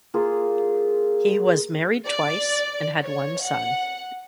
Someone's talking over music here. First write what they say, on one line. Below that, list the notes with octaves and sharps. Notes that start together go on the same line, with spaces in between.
He was married twice and had one son.
A#3 F4 G#4
D5
C#5
F#5